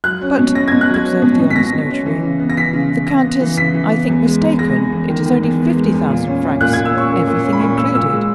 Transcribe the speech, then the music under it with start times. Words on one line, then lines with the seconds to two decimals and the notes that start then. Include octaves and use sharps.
"But," observed the honest notary, "the count is, I think, mistaken; it is only fifty thousand francs, everything included."
0.04 F#3 F#6
0.22 C#4
0.38 B2
0.55 C#4 A#6
0.68 B2 G#6
0.81 F#6
0.89 F#3 G#6
1.05 C#4
1.22 B2
1.40 B2
1.50 B6
1.55 B2 A#6
1.73 B2
1.90 C#4
2.06 E3
2.23 C#3
2.40 B3
2.50 A#6
2.57 E3 B6
2.73 C#3
2.90 C#3
3.07 C#3 A#6
3.25 B3
3.41 E3
3.57 C#3 B6
3.74 E3
3.92 B3
4.08 E2
4.25 G#3
4.41 E2
4.58 G#3 A#6
4.76 E2
4.92 E2
5.09 D#3
5.25 D#3
5.43 E2
5.60 B3
5.76 G#3
5.94 E2
6.10 A#2
6.27 C#4
6.43 C#4
6.61 A#2 F#6
6.73 G#6
6.77 A#2
6.85 E6
6.94 C#4 C#6
7.12 A#3
7.27 A#2
7.44 C#4
7.53 B5
7.61 A#2 C#6
7.78 A#2 E6
7.95 A#2 E6
8.12 G#3